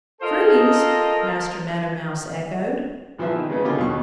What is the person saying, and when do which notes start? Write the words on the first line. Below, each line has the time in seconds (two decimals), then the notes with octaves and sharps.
"Trees!" Master Meadow Mouse echoed.
0.21 F4 A4 A#4 C5 D#5
3.18 A#1 E3 F3 B3 C5 E5
3.35 D#3
3.50 C#3 G#3 B3 C#4
3.65 B2 D3 A#3 F4 G4
3.78 D#2 B2 C#6